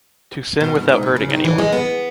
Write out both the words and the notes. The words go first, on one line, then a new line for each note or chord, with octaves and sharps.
To sin without hurting anyone.
B2
G2
G#2
A#2
C#3
D#3
E3
G#3
B3